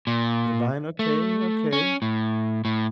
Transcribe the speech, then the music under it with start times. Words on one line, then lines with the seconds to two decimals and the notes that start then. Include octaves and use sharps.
Divine, okay, okay.
0.07 A#2
0.99 A3
1.73 C#4
2.02 A2
2.65 A2